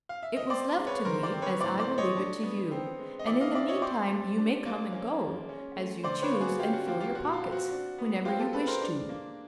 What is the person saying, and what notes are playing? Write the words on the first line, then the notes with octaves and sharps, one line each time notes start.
It was left to me as I will leave it to you, and in the meantime you may come and go as you choose and fill your pockets whenever you wish to.
F5
E5
D#5
C4 C5 D5
G#3
B4 C#5
D3 A#4 C5
C5 D5
C4
B4 C#5
A2 C5 D5
C5 D5
A3
C#5 D#5
D4
B3
C4
G#3
D#5
E3 D5 E5
D#5 F5
D4 D5 E5
C#5 D#5
C4 C5 D5
G3
D4
A#3
C#4
G#3
C#4
A3
D3 C5 D5
B4 C#5
A#3
F#4 G#4
C#4 F4 G4
F#4
A#3 F4 G4
F4 G4
A#2 F#4
F4
C4
F#4
D4
B3
C4 F4 G4
G4 A4
G#3 A4 B4
A#4 C5
D4
A#3